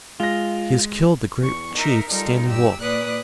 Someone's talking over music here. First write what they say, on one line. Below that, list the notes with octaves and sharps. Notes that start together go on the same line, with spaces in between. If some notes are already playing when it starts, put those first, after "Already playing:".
He has killed the great chief Standing Wolf.
G#3 F4 A#6
E2 C#6
D#4 A#4 E5
G3 D#4 F4 A4 A#4
G2 G4 E6
A#2 B4 D5 D#6 F#6